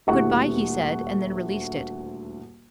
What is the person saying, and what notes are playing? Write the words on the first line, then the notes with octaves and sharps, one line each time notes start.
"Good-bye," he said, and then released it.
D#1 D2 E4 F#5 C#6